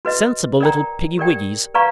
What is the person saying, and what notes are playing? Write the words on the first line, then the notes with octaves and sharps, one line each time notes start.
Sensible little piggywiggys.
F#4 B4 D#5
A#4 D5 G5 A#5
G4 A#4 D5 G5
B4 D5 F5 A#5 C#6